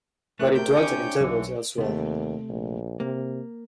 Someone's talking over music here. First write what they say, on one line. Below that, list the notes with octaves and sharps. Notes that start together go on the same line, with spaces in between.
But he dwelt at intervals elsewhere.
A2 E3 A3 A#4 F#6
C3 G5 G6
D4 C#5 G#5
B1 D3 E3
D#2 C3 A3
A#1
C3 A#3